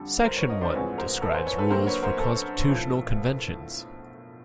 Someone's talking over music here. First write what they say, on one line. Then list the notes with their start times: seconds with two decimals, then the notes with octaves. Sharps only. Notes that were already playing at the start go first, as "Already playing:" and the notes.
Section one describes rules for constitutional conventions.
Already playing: F2 D3 G3 A4
0.25 A#4 C5
0.36 B4 C#5
0.49 C#5 D#5
0.61 C5 D5
0.73 A1 A2 F3 G#3 C4 B4 C#5
0.98 A#4 C5
1.22 A4 B4
1.34 A#4 C5
1.46 B4 C#5
1.58 A4 B4
1.70 F#2 D3 F#3 A#3 A#4 C5
1.86 B4 C#5
2.02 A#4 C5
2.19 A4 B4
2.68 B1 A2 F3